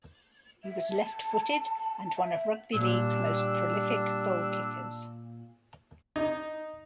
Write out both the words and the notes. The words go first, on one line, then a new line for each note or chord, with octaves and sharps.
He was left-footed, and one of rugby league's most prolific goal-kickers.
E5
A5
E5
A#2 G3 D4 E6
D#4